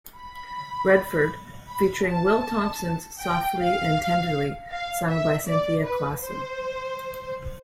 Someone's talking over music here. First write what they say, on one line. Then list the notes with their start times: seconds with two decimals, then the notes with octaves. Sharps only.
Redford featuring Will Thompson's "Softly and Tenderly" sung by Cynthia Clawson.
0.18 B5
1.69 B5
2.07 A5
3.20 G5
3.58 F5
4.71 F5
5.09 E5
5.47 D5
5.85 B4
6.23 C5